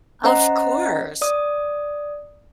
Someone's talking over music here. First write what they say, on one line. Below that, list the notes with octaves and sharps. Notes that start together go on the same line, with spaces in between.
Of course.
C#4 C5 D#5 F#5 A#5
D5 D#6